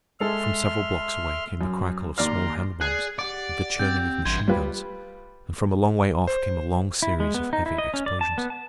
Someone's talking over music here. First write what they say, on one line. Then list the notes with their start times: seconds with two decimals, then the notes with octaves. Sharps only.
From several blocks away came the crackle of small hand-bombs and the churning of machine-guns, and from a long way off came a long series of heavy explosions.
0.20 G#3 G#4 A4 E5 C6 F6
1.61 F#2
2.18 D#2 D5 A#5 C6 F6
2.81 G#4 D5 F#6
3.19 G4 D5 F#5 D6
3.79 C4 G6
4.25 A1 G2 C6 G#6
4.48 G3 F4 B4
6.27 C5
7.02 E4
7.20 G#3
7.34 B3
7.53 D#4
7.66 E4
7.78 D#5
7.94 C#4
8.06 D5
8.21 A5
8.38 B3
8.50 A5